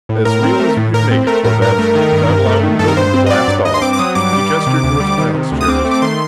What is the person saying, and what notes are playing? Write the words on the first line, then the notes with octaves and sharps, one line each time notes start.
"As real as we can make it, Corbett, without allowing the building to blast off." He gestured toward the pilot's chairs.
A2
A2 A#4
C4
A3
A2
A2 A#4
C4
A3 A#4
A2 A#4
G2 A#4
A3
D#3
G2
G2
A3
D#3
G2 A4
A#4
G2 C5
C4
D#5
F#3 D5
G2
G2 D#5
C6
C4 D6
D6
F#3 D#6
G2 D6
G3
D#3
C3
D2
G3
D#3
C3
D2
D#6
C4 D6
A3
D6
D#3 C6